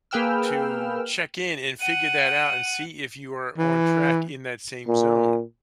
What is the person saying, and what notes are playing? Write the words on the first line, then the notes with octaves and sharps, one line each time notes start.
to check in, and figure that out, and see if you are on track in that same zone,
A#3 G#4 B4 G5 E6 F6
F#5 D#7
E3
A#2